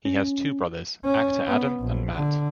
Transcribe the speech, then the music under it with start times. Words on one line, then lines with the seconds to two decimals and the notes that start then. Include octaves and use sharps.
He has two brothers, actor Adam and Matt.
0.05 C#4
1.04 C#4
1.47 B3
1.80 A#1
2.15 D3